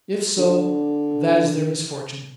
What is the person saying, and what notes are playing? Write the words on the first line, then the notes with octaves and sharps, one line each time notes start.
If so, that is their misfortune.
D3